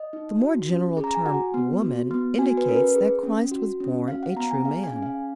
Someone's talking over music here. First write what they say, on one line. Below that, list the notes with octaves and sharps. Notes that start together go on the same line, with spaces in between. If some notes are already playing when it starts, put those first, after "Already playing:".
The more general term "woman" indicates that Christ was born a true man.
Already playing: D#5
D#4
F#4
C#4
G#4
A#5
G#5
F#4 F#5
B3
F#4
B3
F#4 G#5
B4
C#4 A#4
B4
G#4
C#4
F#4
C#4
F#4 F5
F#5
B3 A#5
G#5
G#4 F5
G#5
C#4
F5